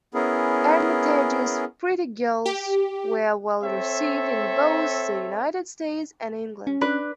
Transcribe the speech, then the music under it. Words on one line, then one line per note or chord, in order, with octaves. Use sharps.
Armitage's pretty girls were well received in both the United States and England.
B3 C#4 E4 G#4 A#4
G4
C4 A4 C#5 E5
C#4
D4 B4